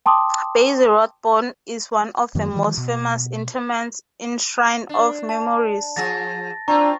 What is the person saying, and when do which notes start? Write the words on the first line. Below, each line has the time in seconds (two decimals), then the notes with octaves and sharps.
Basil Rathbone is one of the most famous interments in Shrine of Memories.
0.06 G5 A5 C6 D6 D#6
2.35 F#2 D#3 F#3 A#3
2.53 D#3 E3 F#3 G#3
2.78 B2
4.89 D4
5.29 A5
5.96 F3 G#4 A6 A#6
6.68 C4 D4 F4 A#5 C#6